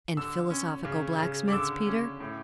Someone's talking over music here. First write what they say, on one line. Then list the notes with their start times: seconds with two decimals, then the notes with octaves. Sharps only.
"And philosophical blacksmiths, Peter?"
0.17 D3 E6
0.51 C#4
0.85 C#3
1.18 C#3
1.48 D6
1.52 D3 E6
1.87 C#4
2.20 A2